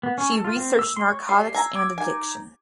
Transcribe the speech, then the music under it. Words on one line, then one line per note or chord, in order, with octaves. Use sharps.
She researched narcotics and addiction.
B3
C#4
A4
F4
C4
E6
C6
C#5
G3 C#5 C7
G#5 A#5 E6
D6 G#6
D#4 G#5